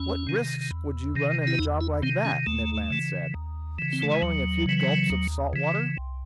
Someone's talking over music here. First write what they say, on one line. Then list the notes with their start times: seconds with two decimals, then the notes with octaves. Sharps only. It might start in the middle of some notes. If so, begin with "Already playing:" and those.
"What risks would you run in a job like that?" Ned Land said. "Swallowing a few gulps of salt water?"
Already playing: E2 C#4
0.27 C3 D#3
0.71 E2
1.16 C3 D#3
1.47 E4
1.59 E2 D#4
1.81 E4
2.02 C3 D#3 C4
2.25 C#4
2.46 D#2 A3
2.90 C#3 E3
3.34 D#2
3.79 C#3 E3
3.93 C4
4.02 A3
4.12 G#3
4.22 D#2 F#3
4.66 C#3 E3
5.10 D#2
5.53 C#3 E3
5.97 C2